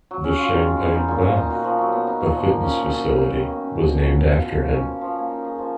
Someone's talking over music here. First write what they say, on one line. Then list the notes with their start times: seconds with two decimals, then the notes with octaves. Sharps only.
The Champagne Bath, a fitness facility, was named after him.
0.11 F#3
0.24 C#4
0.39 F4
0.53 D#3
0.67 G#3
0.81 B3
0.94 D#4
1.08 A#2
1.22 A#3
1.37 D#4
1.50 F#4
1.64 F3
1.79 F#3
1.92 B3
2.07 D#4
2.21 A#2
2.35 F3
2.49 A#3
2.63 C#4
2.77 A#2
2.91 F#3
3.05 B3
3.19 D#4
3.33 D#3
3.48 A#3
3.61 C#4
3.76 B2
3.89 B2
4.03 F#3
4.17 B3
4.32 F4
4.45 B2
4.59 A#3
4.74 C#4
4.88 F3
5.01 F3
5.16 A#3
5.30 D#4
5.44 G#4
5.59 F3